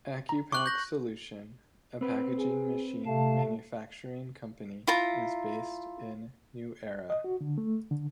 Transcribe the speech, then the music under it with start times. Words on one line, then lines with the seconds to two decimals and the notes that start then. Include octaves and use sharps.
Acupack Solution, a packaging machine manufacturing company, is based in New Era.
0.29 A#5
0.52 C#6 D6 F#6 F#7
0.66 G6 A#6
2.01 C4 B4
2.38 G#4
3.06 C3 A3 F5 A5
4.87 E4 F4 A#5
7.10 D#5
7.24 F#4
7.41 D3
7.58 A3
7.91 D3